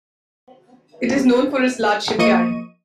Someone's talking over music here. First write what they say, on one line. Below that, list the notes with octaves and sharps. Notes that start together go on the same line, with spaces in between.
It is known for its large shipyard.
F3 A#3 D#5 C#6 D#7